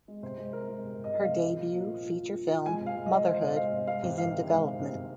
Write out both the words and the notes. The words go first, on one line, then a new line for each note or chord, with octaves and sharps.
Her debut feature film "Motherhood" is in development.
G#3
C3 C5
G#3
G#3 A#4
G#3
C3
C3
D#5
G#3
C3 F5
F3
A#2
A#2
F3
F3
A#2
F3
A#2
G#3 G#5
C3
F5
G#3
D#5
G#3
G#3 C5
C3
G#3 F5
C3
G#3 F5
C3
D#3 F5
C3
G#3
C3
C3
C3